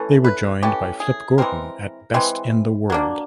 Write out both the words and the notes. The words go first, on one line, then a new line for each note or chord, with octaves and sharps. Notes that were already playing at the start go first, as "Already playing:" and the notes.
They were joined by Flip Gordon at Best in the World.
Already playing: E3 A3 C#4
B4
E3 A3 C#4 G4
G#4
E3 G#3 C4 A#4
E3 G#3 C4
F#3 A#3 D4